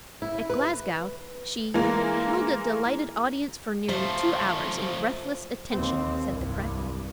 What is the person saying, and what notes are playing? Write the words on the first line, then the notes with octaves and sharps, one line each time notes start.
At Glasgow "she held a delighted audience for nearly two hours in breathless attention," said the press.
E4
B4
E3 G#3 A#3
F3 A3 C5
D#2 C4
C2 G2